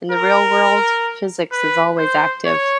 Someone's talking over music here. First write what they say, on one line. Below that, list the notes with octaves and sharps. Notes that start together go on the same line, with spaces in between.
In the real world, physics is always active.
A#4
B4
C5
C#5